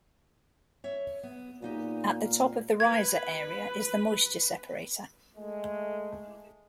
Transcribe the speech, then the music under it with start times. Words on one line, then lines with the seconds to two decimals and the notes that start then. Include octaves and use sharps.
At the top of the riser area is the moisture separator.
0.84 C#5 E5
1.23 B3
1.62 A#2 B3 D#4 G4
2.25 F5
2.80 B4 G#6
5.37 G#3 A3